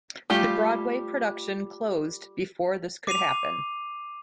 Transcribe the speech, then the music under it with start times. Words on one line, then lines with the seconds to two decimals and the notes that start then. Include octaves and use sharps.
The Broadway production closed before this could happen.
0.30 G3 A3 F4 G4
3.07 D6 C7 D#7 F7